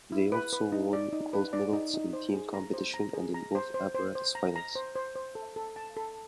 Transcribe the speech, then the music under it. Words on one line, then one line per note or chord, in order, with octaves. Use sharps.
They also won gold medals in team competition and in both apparatus finals.
E4
B4
B4
D#4
D5
D#4
B4
D5
D#4
D#4
C5
G#4
A#5
C5
A#5
G#4
A#5
C5
C5
C5
C5
A#5
A#5
C5
C5
C5
A4
A4
A5
A4